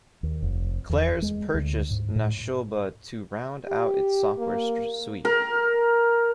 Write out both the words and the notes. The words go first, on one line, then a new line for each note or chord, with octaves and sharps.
Claris purchased Nashoba to round out its software suite.
D#2
F1
E2
G#3
D2
G#2
A2
G4
A#3
A#4